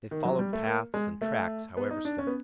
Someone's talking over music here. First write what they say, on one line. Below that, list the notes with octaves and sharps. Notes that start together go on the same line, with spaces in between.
They followed paths and tracks, however slight.
D#3
F#3
G3
A3
A#3
G#3
A3
B3
D#4
D4
C#4
B3